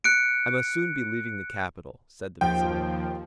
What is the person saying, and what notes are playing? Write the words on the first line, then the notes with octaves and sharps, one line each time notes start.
"I must soon be leaving the capital," said the visitor.
F#6 C#7 D7
D#2 F3 G5